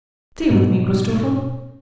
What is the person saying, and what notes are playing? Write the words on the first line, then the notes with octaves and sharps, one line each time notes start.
Stay with me, Christopher.
G#2 B2